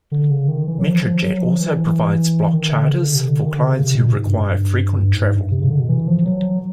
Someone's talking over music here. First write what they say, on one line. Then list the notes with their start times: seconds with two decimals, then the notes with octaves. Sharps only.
Metrojet also provides block charters for clients who require frequent travel.
0.12 D3
0.31 C#3
0.48 D#3
0.67 E3
0.79 F#3
0.87 F3
1.04 F3
1.23 F#3
1.42 F3
1.61 E3
2.53 D#3
2.72 D3
2.90 C#3
3.03 D3
3.15 C3
3.28 D3
3.41 D#3
3.53 D3
3.65 C#3
3.84 C3
3.95 B2
4.02 A#2
4.15 G#2
4.27 G2
5.03 G2
5.14 G#2
5.33 G2
5.51 C3
5.61 C#3
5.70 D3
5.80 B2
5.89 E3
6.07 F3
6.25 F#3